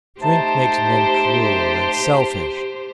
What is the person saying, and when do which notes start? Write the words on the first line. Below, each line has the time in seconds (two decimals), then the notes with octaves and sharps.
Drink makes men cruel and selfish.
0.21 A3 D#4 G4 C5 A5